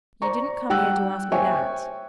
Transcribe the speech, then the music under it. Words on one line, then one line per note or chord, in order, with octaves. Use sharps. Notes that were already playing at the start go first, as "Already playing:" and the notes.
You didn't come here to ask me that.'
C5 D5 A#5 C#6
G3 F#5 G5 E6 F#6
C5 C#5 E5 G5 G#5 C#6